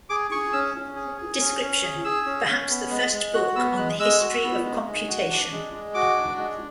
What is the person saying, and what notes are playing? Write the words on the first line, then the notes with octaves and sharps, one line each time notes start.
Description: Perhaps the first book on the history of computation.
G#4 D6
G#4 C#6
C#4 E6
C#4
G#4
G#4
C#4
C#4
G#4
G#4 E6
C#4
C#4
B3
G#3
G#3
F#4 F#6
B3 E6
G#3 F#6
G#3 E6
F#4
B3
G#3
G#3
F#4
D4
G#3
G#3
F#4 D6
D4
G#3